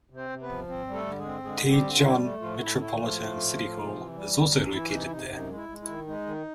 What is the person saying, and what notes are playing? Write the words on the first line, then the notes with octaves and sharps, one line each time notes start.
Daejeon Metropolitan City Hall is also located there.
C3
C4 C5
C3
B3 B4
F3
C4
G3
A3 A4
D3
G#3 G#4
C4
D3 G#3 G#4
C4
G3 G4
D3
F4
G3 E4
F3 F4
A3
A2 F3 F4
A2 E4
A3 E4
A2 F3 F4
A3
A2
A2
C3
E3
G3
E2
E3
E3 E4
C3 D#4
E4
C3 D#4
F#2 D#4
G#3
E4
G#3
E4
D#3
G#3 D#4
D#3